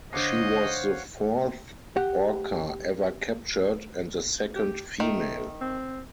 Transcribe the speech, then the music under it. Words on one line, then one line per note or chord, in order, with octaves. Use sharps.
She was the fourth orca ever captured, and the second female.
D3 C5 C#5 D#5 F5 F#5 D6 C7
G4 F#5
G4
D#3 A3
C4